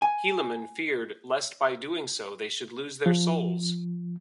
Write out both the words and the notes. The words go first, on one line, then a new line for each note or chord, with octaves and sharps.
Helaman "feared lest by so doing they should lose their souls".
G#5
F3